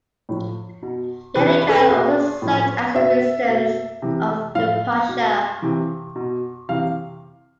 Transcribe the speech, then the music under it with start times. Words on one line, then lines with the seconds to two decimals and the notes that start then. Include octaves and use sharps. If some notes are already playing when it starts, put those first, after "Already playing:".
Yeni-Kale also served as a residence of the pasha.
0.29 A2 F3
0.83 B2
1.35 C3 E3 B4
1.62 B4
1.69 A4
1.77 B4
1.89 B2 G#4
2.42 A2 F3
2.95 B2 E5
3.49 B2
4.02 C3 E3
4.55 A2 F3 F5
5.09 B2
5.62 C3 E3
6.16 B2
6.69 C3 E3 F5